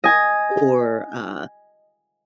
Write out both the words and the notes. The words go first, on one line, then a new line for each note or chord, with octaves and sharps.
or, uh
D#5 G#5